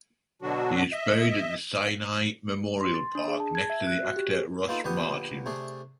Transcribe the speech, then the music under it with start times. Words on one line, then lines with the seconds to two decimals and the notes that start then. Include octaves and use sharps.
He is buried at the Sinai Memorial Park, next to the actor, Ross Martin.
0.42 B2 D3 F#3 D4 F#4
0.92 D#5 E5
2.81 C6
2.94 A6
3.15 D4
3.28 G#4
3.40 A5
3.55 G#6
3.70 E5
3.87 F#6
4.03 F#4
4.16 G4
4.29 G#4
4.68 A#3 B3 D#4 F4 A4
4.84 A#1 D3 B3 G4 F#5 D#6
5.46 C3 A3 D4 G#4